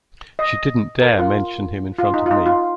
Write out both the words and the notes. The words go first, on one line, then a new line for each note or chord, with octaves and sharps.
She didn't dare mention him in front of me.
D#5
A#4
F4
F4
D#4
F4
D#4
F4